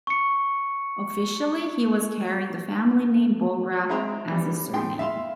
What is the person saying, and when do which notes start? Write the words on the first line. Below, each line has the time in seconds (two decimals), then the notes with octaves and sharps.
Officially he was carrying the family name Bogra as his surname.
0.07 C#6 C#7
3.89 G#3 C4 G#4 E5 A#5 C6
4.31 G3 B3
4.73 A2 G#4 G5 C6
4.99 E5 F5 C6